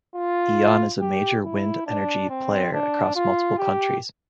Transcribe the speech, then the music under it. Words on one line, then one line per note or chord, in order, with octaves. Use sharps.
Eon is a major wind energy player across multiple countries.
F4
G4
E4
D4
C4
D4
F4
G4